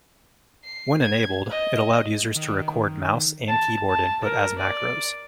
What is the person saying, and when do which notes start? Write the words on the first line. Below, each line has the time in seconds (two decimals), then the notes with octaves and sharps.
When enabled, it allowed users to record mouse and keyboard input as macros.
0.64 C7
1.03 G#6
1.50 D#5
2.36 D#3
3.48 A5
3.89 A5
4.24 A#4
4.58 D5